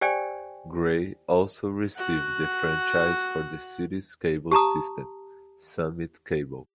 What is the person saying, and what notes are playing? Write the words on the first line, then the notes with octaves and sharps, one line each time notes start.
Gray also received the franchise for the city's cable system, Summit Cable.
G4 C5 D5 G5 G#5
F#4 F#5
G4 A5 A#5 D#6